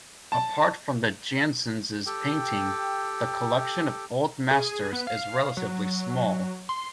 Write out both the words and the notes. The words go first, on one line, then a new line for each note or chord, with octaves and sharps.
Apart from the Janssens' painting, the collection of Old Masters is relatively small.
A5
G4 A4 G5
G#4
B3
F5
F#3
C6